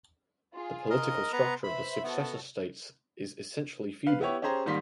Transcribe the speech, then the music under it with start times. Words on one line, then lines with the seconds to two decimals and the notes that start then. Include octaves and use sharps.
The political structure of the Successor States is essentially feudal.
0.53 F4 G#4
0.90 A#4 D#5
1.33 B3 B4 A#5 C6
1.64 B4 C5 E5 B5
2.03 B3 F#4 A4
4.07 B4 F5
4.21 B3 E4 G4 C#5
4.42 C#4 G4 G#4 C5 A#5
4.66 G#2 D#3 G3 A#3 C6 B6